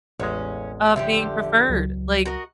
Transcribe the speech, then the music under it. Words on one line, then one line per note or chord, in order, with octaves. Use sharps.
of being preferred. Like,
A1 E2 G#3 C#4
D3 F3 G4 E5
C#2 F#3
F#4 A#4 D#5